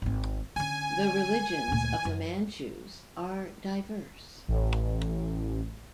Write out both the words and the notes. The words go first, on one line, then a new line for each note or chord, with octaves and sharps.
The religions of the Manchus are diverse.
G#1 C4
D3 C#4 G#5
D2 A#2
F#2
A1